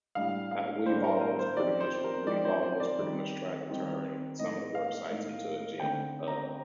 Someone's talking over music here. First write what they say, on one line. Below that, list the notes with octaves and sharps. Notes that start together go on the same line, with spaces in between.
I we've almost, pretty much we've almost pretty much tried to turn some of the work sites into a gym, uh,
A2 G3 D4 F5
F5
A2 G3 D4 C5
A#4
A#4
C5
F3 C4 D#4 D5
C5
A#4
F3 C4 D#4 D5
C5
C5
D5
D#3 G3 C4 D#4
D#3 G3 C4 D#4
A2 A3 D#4 D#5
F5
A2 A3 D#4
D3 A3 C4 D#4 G5
A#5